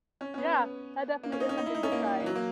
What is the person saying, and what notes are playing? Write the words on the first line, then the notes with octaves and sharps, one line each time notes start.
Yeah. That definitely is something to try.
C#4
C#4
B3
A#3
C#4
D#4
C#4
D#4
E4
D#4
C#4
A#3
E3
F#3
A#3